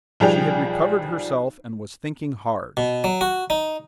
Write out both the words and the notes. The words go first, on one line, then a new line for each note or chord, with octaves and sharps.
She had recovered herself and was thinking hard.
B1 F3 G3 G#4 G5 F7
B2
F#3
F#4
D#4